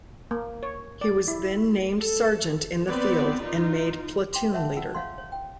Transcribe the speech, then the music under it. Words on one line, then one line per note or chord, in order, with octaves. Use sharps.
He was then named sergeant in the field and made platoon leader.
A#3
C#5
D5
E4
A4
B3 C4 B4 D5
D#4 F4
G5 C6 D6
A#4 C#5 E5 F#5 A5
F4 F#5 E6
C#5 F5 F#5 C6
C#5
G5